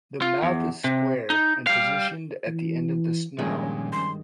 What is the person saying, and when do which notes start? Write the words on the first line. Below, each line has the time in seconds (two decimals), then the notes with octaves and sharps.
The mouth is square, and positioned at the end of the snout.
0.22 F4
0.42 E2
0.84 C3
1.30 D#4
1.67 G3 F5
2.47 E3
3.39 G2 A#2 D#3 F3 G#3 C#4 G#5
3.93 C6